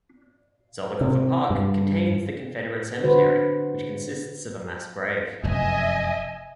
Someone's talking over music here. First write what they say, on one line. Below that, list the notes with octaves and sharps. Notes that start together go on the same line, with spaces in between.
Zollicoffer Park contains the Confederate Cemetery, which consists of a mass grave.
C3
G2
D3 F#4 B4 C5
F1 F#2 D#5 E5 G#5